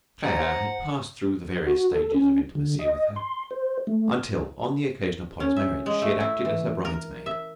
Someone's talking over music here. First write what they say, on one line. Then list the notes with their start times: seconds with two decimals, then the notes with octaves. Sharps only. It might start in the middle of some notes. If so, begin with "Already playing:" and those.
Claire had passed through the various stages of intimacy with her, until on the occasion of Polly's marriage she had acted as her bridesmaid.
0.25 C5 F#5 A#5
1.67 F#4
1.92 A4
2.14 C#4
2.55 D3
2.79 D#5
3.16 C6
3.51 C5
3.87 A3
5.40 C#4
5.56 E5
5.86 G#3
6.02 A3
6.20 E4
6.45 E3
6.85 A#4
7.26 E5